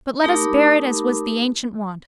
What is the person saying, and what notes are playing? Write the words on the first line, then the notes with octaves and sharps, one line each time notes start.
But let us bear it as was the ancient wont.
A3 D#4 G4 A#4 B5 D6